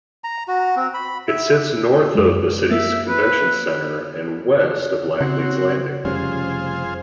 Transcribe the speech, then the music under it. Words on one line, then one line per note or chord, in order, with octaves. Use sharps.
It sits north of the city's convention center and west of Laclede's Landing.
A#5
F#4
C4
B5
E5
F#2 G#3
A#3 E5
B4
C#3 C4 F#4
F1 G3 C#4 F4 G#4 C5